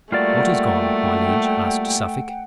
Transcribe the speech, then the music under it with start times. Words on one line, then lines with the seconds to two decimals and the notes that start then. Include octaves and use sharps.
"What is gone, my liege?" asked Suffolk.
0.12 G3 A3 A#3 F4 F#4 D5 F#5 G5